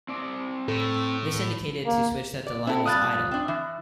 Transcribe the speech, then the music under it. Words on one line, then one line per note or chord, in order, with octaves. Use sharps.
This indicated to switch that the line was idle.
C4 D5
A2 A4
A#3
D5
C4 E4 A4
G3 F4 D5 D#6 F#6 A6
C4 D4
E3